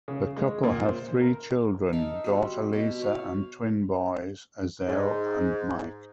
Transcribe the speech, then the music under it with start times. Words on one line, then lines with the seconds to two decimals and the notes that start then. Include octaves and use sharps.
The couple have three children, daughter Lisa and twin boys, Azelle and Mike.
0.08 C#3
0.37 G#3
0.63 A#2
0.86 C5
1.21 A#4
1.93 D#4 A4 E5 F5
2.24 G3 C4 F#4
2.73 B2
3.02 C#5 F5
4.87 G#2